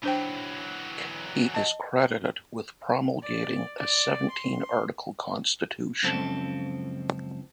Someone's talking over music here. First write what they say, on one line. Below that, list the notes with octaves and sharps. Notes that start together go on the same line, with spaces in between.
He is credited with promulgating a Seventeen-article constitution.
E3 F#3 D4 C5 G5
D#5 A5
D5
D5
C6
C#2 F#2 F3 C4 A4 A5